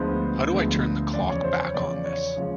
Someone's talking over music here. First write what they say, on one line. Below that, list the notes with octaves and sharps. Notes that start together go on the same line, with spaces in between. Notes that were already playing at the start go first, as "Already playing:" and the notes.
How do I turn the clock back on this?
Already playing: D2 D3 F3 G#3 B3 C5
D2 D3 F3 G#3 B3
E2 C#3 F3 D5
C#5
C5
C#5
E2 C#3 F3 D5
C#5
C#3 F3 G#3